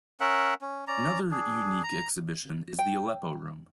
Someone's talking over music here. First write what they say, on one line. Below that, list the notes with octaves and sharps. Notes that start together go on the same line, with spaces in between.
Another unique exhibition is the Aleppo room.
C#4 A#4 E5 F#5
C#4
C#4 D5 A#5
D4 G#4
A#5
G5